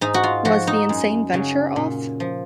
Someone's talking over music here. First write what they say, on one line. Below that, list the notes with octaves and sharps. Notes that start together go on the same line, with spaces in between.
Was the insane venture off?
G#2 D#4
F#4
F4
F3 F#4
D#4
F#2
C#3 F#3
A#2
F3